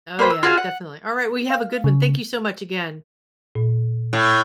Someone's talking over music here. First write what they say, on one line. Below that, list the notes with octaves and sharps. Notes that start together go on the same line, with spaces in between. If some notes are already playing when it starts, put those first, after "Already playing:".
Oh, yeah, definitely, alright, well, you have a good one, thank you so much, again.
A#3 B4 C5 G5
E6
F4 F#4 G#4 F5
F#5
F5
C#3
A#2
A2